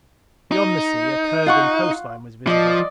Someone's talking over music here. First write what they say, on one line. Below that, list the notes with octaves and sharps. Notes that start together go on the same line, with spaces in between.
Beyond the sea, a curving coastline was visible.
D#4
F4 F#5 C#6
F3 D5 D#5